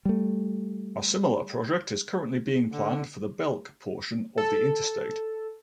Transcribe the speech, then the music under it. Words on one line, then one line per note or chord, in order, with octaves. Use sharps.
A similar project is currently being planned for the Belk portion of the interstate.
G3 A3
D3
A4